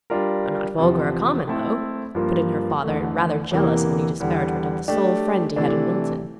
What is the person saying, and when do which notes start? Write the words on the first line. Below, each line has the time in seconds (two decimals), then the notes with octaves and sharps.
'Not vulgar, or common though,' put in her father, rather jealous of any disparagement of the sole friend he had in Milton.
0.10 G3 D4 F4 A#4
0.78 E2 C3 F3
1.47 A3 C4 E4 A4
2.15 G2 F3 A#3 F4
2.83 E2 D3 A3
3.51 E2 C3 E3 A#3
4.20 E2 D3 G3
4.88 A3 D4 G4
5.56 C3 E3 A3 D4